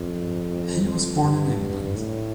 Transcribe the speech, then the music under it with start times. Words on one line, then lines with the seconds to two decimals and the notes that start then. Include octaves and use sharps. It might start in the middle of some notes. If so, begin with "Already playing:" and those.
He was born in England.
Already playing: F2
0.84 F2
1.22 G2
1.97 A2